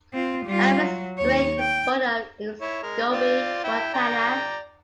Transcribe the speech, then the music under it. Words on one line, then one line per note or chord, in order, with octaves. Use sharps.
Alvin Straight was born in Scobey, Montana.
C4 F4
G3 F4
F#3
D#2 C#5
G5
E4 C#5
G#3 A#4
C4 F4 D5
E4 G5
D5 G5 A#5